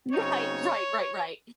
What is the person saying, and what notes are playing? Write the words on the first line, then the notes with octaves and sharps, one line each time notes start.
Right, right, right, right.
C#3 F#3 C4 D#4 C#5